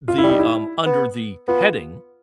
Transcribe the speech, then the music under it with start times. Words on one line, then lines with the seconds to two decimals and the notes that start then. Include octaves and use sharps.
the um, under the heading
0.08 F4
0.18 E4
0.24 G3
0.29 D#4
0.39 E4
0.86 B3
1.48 B3 F4